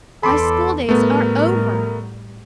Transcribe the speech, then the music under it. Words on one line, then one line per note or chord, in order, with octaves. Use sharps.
My school-days are over!
E2 A4 B5 C6 D6
A2 G3 A3 B3 A#4